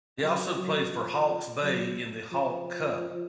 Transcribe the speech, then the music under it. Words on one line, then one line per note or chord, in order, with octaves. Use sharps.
He also played for Hawke's Bay in the Hawke Cup.
F#3
F#3
F3
F#3
F3